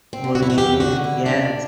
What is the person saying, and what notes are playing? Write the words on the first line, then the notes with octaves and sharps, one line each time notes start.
Loading it in, yes.
C4
D3
F#4
E4
F#4
E2 G4
F#4
D3
E4
E2 D4